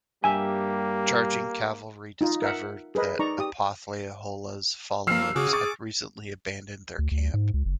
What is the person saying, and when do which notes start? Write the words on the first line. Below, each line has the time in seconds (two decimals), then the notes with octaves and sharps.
Charging cavalry discovered that Opothleyahola's followers had recently abandoned their camp.
0.24 G2 G3 A#3 G4 E5 G#5
2.21 D#4 F4
2.42 A#4 E5 F#5
2.95 G#4 A#4 B4 D#5
3.19 D#4 D5 A#5 C#6
3.39 G4 D#6
5.07 F3 A#3 E6 F6 C7
5.36 C#3 F#4 G#4 D6
5.53 C#6 D6 A6
6.99 D2
7.11 D2
7.34 G#2
7.54 C#2
7.65 F#1